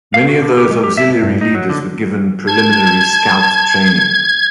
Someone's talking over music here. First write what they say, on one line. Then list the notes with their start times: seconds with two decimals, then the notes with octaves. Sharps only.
Many of those auxiliary leaders were given preliminary Scout training.
0.14 F5
0.29 F#4
0.42 D3
0.58 G4
0.71 G#3
0.84 G4
0.97 E5
1.10 B2
1.22 G2
1.41 D#4
1.55 F#3
1.70 D3
2.47 A5 G#6